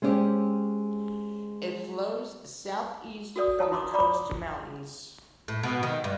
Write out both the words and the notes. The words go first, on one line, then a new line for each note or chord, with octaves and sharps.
It flows south-east from the Coast Mountains.
G#3 C4 C#4 E4 G4
F#4 A4 D5 D#6
C#5 A5 A#5 D#6
F4 C6 D6 D#6
D5 A#5 B5 D6
A2
B2
D#3
G2